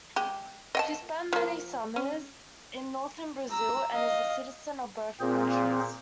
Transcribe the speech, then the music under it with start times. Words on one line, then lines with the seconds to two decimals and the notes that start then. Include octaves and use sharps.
She spent many summers in northern Brazil, and is a citizen of both countries.
0.16 G#3 G4
0.75 D#5 G5 A5
1.33 F3 A#3
1.96 C#4
3.49 A#5 E6
3.93 D#5 F5
5.20 A#2 C4 G#4 C5